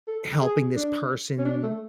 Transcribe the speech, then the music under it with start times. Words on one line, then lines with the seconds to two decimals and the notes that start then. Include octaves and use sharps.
helping this person
0.07 A4
0.42 G#4
0.76 D4
1.39 C#4
1.45 D4
1.63 A3